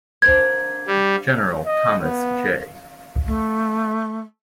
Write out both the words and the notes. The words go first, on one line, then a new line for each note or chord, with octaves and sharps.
General Thomas J.
D4 A#4 C5 G#6
G3
D#5
B3
A3